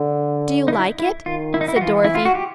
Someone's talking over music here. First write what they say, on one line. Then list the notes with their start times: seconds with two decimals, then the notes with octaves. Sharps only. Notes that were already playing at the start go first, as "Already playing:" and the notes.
"Do you like it?" said Dorothy.
Already playing: D3
0.68 D#4
0.73 E4
0.99 E4
1.26 D#3 F4
1.54 E4
1.61 D#4
1.68 E4
1.76 F#4
1.81 E3 F4
2.04 E4
2.15 F4
2.25 F#4
2.35 G4